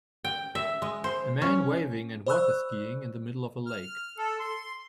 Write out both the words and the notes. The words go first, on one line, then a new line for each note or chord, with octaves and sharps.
A man waving and waterskiing in the middle of a lake.
G5
E5
G#3
C5
C#4
C5 D5 B5 C#6 E6 F#6
F6
A4
C6